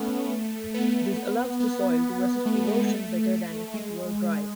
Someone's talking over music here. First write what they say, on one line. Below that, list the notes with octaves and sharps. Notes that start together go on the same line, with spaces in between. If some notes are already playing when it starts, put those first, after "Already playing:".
This allows the soil to resist erosion better than if it were dry.
Already playing: A3 B3 C#4
B3
A3
B3
B3
A3
G#3
A3
G#3